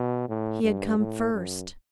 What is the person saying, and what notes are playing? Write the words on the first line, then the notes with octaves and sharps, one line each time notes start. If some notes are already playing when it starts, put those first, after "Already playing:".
He had come first!
Already playing: B2
A2
G2
A2
F#2